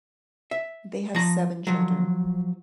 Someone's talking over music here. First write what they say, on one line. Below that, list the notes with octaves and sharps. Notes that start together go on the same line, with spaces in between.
They have seven children.
E5
F3 A#5
F3 F#3